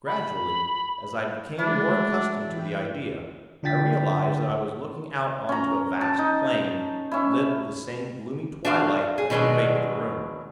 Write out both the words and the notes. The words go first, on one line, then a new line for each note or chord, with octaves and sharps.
Gradually, as I became more accustomed to the idea, I realized that I was looking out on to a vast plain, lit with the same gloomy twilight that pervaded the room.
B5
G#3 A3 D4 E4 F#4
E3 G5 B5
D3 D4 F4 G5 A6 B6
C#4 A#5
A5
D#4
C#4 E4
D4 F#4 A4 F5
G#4
B2 D#3 F#3 G#3 D4